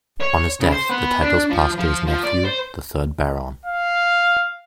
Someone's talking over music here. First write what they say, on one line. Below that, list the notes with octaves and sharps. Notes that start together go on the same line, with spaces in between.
On his death the titles passed to his nephew, the third Baron.
C#5
C#3
C5
B3
D4
F3
F3
F3
D5
C5
F5